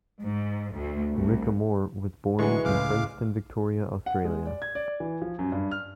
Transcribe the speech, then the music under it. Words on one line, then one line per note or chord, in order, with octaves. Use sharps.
Rick Amor was born in Frankston, Victoria, Australia.
G#2
D2
C2
D3 E3 F#3 G#3 C#6
C#2 A2 F5 D6
F#5
G#3
D5
G#6
D5
E3
F3
F#2
G2
F6